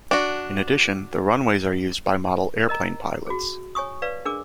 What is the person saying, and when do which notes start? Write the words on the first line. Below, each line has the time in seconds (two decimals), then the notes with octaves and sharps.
In addition, the runways are used by model airplane pilots.
0.11 D4 F#4
2.69 A#4 D#5 A#5
3.27 F#4 G#4
3.75 C#5 G#5 C#6 D#6
4.02 B4 D5 F5
4.25 D4 G#4 A#4 D6